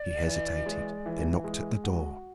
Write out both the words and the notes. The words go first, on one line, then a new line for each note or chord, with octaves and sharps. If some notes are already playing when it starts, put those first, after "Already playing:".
He hesitated, then knocked at the door.
Already playing: D5
E3
G#3
E3
G#3
F#4